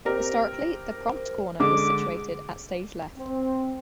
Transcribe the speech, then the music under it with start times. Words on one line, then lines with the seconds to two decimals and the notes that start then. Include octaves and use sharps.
Historically, the prompt corner was situated at stage left.
0.05 C4 G4 A#4
1.60 D3 G#3 D6
3.17 C4